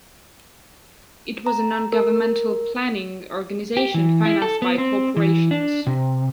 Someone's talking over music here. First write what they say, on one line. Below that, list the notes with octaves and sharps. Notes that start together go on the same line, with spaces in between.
It was a non-governmental planning organisation financed by corporations.
A#5
A#4
G4
E3
E4
A4
B3
C4
E3
D4
C3